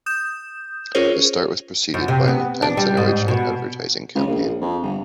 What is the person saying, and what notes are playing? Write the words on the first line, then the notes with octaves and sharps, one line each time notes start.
The start was preceded by an intense and original advertising campaign.
D#6 G6 E7
C#4 F4 G#4 A#4 C5 C#5
F#2
C3
B3
D4
G3
G#2
B2
C#2
A#1
F2
G1